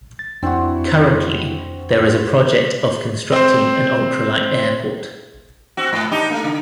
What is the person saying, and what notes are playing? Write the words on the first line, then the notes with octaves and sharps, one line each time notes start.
Currently there is a project of constructing an ultralight airport.
A6
F2 C4 D4 E4 F#4
F4
C4 C5
C4 F#4
G#2
D4 D#4 G4
A3 A#3
C#3